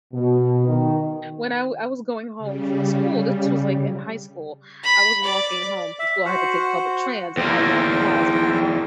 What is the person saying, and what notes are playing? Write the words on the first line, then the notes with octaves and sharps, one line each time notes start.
when I wa I was going home from school this was, like, in high school, I was walking home from school I had to take public trans and I walked past, um,
B2
D#3
C#3 G3
B5
D5
E5
F#4 C5 F#5
E2 A#3 C5 G5